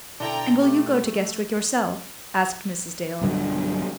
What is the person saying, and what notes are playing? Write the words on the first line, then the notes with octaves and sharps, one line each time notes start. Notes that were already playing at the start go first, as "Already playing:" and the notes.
"And will you go to Guestwick yourself?" asked Mrs. Dale.
B2 D3 D4 E4 A4 G5 A#5
A3 G4
B1 G2 D3 F#3